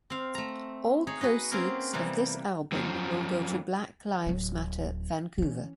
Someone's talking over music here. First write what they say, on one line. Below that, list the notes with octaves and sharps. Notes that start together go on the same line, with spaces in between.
All proceeds of this album will go to Black Lives Matter Vancouver.
C4 F5
A3 A#5
D#4 G#4 C#5
F#4 G#4 B4 D#5
A#3 C4 C#4 G4 G#4 A#4
C3 E3 G3 A#3 B3
F#2 F3
D1 F#3
E3 C#4